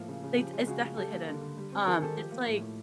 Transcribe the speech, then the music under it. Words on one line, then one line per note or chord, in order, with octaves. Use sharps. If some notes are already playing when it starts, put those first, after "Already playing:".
they It's definitely hidden. Um, it's like
Already playing: A2 F3 A#3
C#3
C#3
F3 G4
G#3
C#3 F#4 G#4
C#3
G3 G4 A4
A#3
D3
D3
G3
C4
D#3 G#4 A#4
D#3 G4 A4
F3 G4
A#3
A2
A2